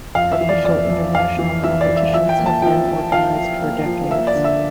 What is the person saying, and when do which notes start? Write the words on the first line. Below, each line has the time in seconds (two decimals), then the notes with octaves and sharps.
Official international competitions have been organised for decades.
0.15 F2 F5
0.32 E5
0.41 E3
0.49 D5
0.64 F2 D5
0.90 F2
1.15 F2 F5
1.39 E3
1.64 E3 E5
1.81 D5
1.89 E3
1.96 E5
2.13 F3 E5
2.29 G5
2.38 A#3
2.46 A5
2.62 F3 G5
2.88 F3
3.11 F3 F5
3.37 F3
3.61 A#3
3.86 F3
4.11 A#3 E5
4.27 D5
4.35 D3
4.44 E5